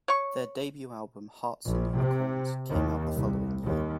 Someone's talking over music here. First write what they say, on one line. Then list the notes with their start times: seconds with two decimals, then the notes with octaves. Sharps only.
Their debut album, "Hearts and Unicorns", came out the following year.
0.08 C#5 C#6
1.65 A#1
1.95 C3
2.69 D#2
3.14 C2
3.63 D#2